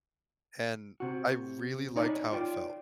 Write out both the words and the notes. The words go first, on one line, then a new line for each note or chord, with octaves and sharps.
and I really liked how it felt.
C3 F#4
D#4 C#5 D5 A#5 B5
F4 D5 G5